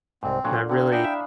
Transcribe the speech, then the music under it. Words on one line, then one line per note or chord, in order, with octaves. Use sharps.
that really,
C2 G#2 C4
A#2 D3 F#3 F4
D3 C4 A#4 C#5 F5
D4 E4 F#4 G#4 G5
E5 F5 B5